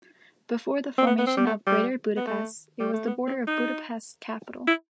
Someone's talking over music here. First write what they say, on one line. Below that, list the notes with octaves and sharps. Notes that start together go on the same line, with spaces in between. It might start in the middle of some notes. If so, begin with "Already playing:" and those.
Before the formation of Greater Budapest it was the border of Budapest Capital.
C4
B3
B3
C4
G3
A3
G3
B3
A3
G3
A3
B3
C4
D#4
E4